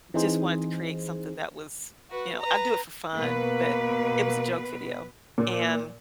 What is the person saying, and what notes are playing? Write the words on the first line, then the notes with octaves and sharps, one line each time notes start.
just wanted to create something that was you know I do it for fun, but it was a joke video, and,
E3 C4 D#4 G#4 C5
F#4 B4
B4 A#5
B2 A#3 B4
A#2